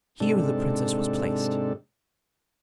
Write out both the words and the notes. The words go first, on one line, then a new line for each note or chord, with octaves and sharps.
Here the princess was placed.
G#2 C3 D4 A4